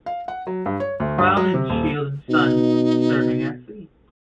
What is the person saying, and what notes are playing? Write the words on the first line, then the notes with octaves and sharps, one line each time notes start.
Crowninshield and Sons, serving at sea.
F5
F#5
F#3
G2
C#5
D2
G2
F#3
C3
D#1
B2 D#4